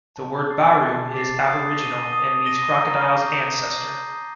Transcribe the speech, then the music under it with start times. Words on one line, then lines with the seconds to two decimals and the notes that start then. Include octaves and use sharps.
The word Baru is Aboriginal and means "crocodile's ancestor".
0.16 A5
0.49 D6 A6 C7
0.81 A5
1.14 D6 A6 C7
1.47 D#6
1.80 A#6 D#7 G7
2.13 D#6
2.46 A#6 D#7 G7
2.80 A#5
3.12 D6 G6 C7
3.44 A#5
3.78 D6 G6 C7
4.11 D#6